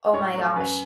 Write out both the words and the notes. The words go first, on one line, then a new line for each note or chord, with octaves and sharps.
Oh my gosh.
A2 C#5
F#3 A3
F#2 B4